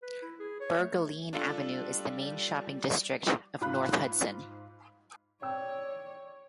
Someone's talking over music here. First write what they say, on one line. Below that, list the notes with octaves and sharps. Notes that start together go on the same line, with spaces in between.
Bergenline Avenue is the main shopping district of North Hudson.
B4
E4
G#4
C#5
A3
G3 D4 F4 A4
G#2 F4 B5 F#6
C#5 D5 G5 E6